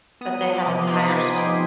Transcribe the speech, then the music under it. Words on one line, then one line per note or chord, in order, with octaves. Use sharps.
But they had a tire swing,
B3 D#6
F3
D6
C3
C6
D#4 B5
B3 G#5
F3 G5